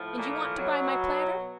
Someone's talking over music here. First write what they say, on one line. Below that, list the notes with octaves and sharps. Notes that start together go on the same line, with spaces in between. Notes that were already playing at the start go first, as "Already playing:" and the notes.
And you want to buy my platter.
Already playing: A2 F3
A#2 A#3
B2 F#3